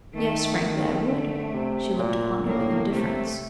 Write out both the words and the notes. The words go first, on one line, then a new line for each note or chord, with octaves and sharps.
Yes, frankly, I would. She looked upon me with indifference.
D#3 A3
D#3 A3
D3
C3
A#2
A2 A#3
C3 A3